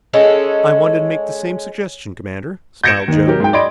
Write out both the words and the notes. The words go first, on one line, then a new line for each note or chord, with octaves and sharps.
"I wanted to make the same suggestion, Commander," smiled Joan.
G#3 C#4 A4
G6 G#6 A#6 C#7 D7 E7
D#2 D#4
F#3 G4 A#4
G#2 G5
D5 D#5 B5 C6 G#6 D7